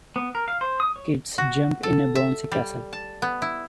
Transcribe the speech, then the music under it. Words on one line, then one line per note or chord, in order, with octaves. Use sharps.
Kids jump in a bouncy castle.
B3
A#4
F5
C5
D#6
C#5
F#4
A4
E5
G3
A5
B3
E4